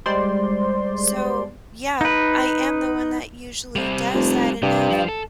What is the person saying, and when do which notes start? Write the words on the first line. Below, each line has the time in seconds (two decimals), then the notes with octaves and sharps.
So, yeah, I am the one that usually does that, and have
0.06 G3 G#3 C5 D5 C6
2.01 D#4 B4
3.76 G3 C4
4.14 F1
4.62 G2 C3
4.90 F3 F4
5.09 A4